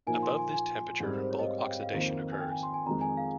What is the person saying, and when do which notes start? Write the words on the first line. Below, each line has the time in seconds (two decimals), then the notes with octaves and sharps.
Above this temperature bulk oxidation occurs.
0.07 A#2 F3 A#3 D#4 G#5
0.23 C6
0.38 G#5
0.54 G#5
1.00 G#2 G3 C4
1.16 A#4
1.23 C5
1.31 C#5
1.39 D#5
1.47 F5
1.58 G5
1.70 F5
1.82 F5
1.93 F2 D#3 A#3 F4 C5
2.32 G#5
2.40 G5
2.51 G#5
2.63 C6
2.74 G#5
2.86 F2 D#3 G#3 A#5
3.01 G#5
3.17 F5